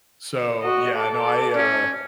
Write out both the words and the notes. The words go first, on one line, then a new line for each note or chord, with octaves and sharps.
So yeah. No, I, uh,
F#4 D#5
A4 D6
C#4